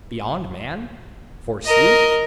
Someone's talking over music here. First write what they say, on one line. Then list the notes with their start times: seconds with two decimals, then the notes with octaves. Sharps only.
Beyond man, forsooth?
1.65 A#4 D#5